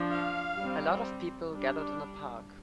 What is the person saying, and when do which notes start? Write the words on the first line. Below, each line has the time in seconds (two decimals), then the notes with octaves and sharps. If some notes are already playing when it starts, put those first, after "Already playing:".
A lot of people gathered in a park.
Already playing: F3 D4
0.12 F5
0.58 G3 C4
1.51 G3 D4